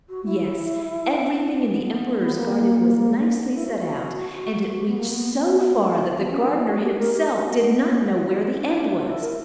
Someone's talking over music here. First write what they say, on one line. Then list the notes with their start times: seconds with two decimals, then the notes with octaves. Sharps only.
Yes, everything in the Emperor's garden was nicely set out, and it reached so far that the gardener himself did not know where the end was.
0.09 F#4
0.25 E4
1.38 D4
1.53 D4
1.70 B3
1.85 B3
2.17 B3
2.34 A#3
3.29 B3
3.42 D4
3.53 E4
3.66 F#4
3.78 F#4
4.74 G4
4.86 B3
4.97 A#3
5.10 B3
6.18 B3
6.29 C#4
6.41 D4
6.54 E4
6.65 F#4
6.81 G4
6.97 A#4
7.13 G4
7.30 F#4
7.46 B3
8.58 D4
9.05 E4
9.21 A#4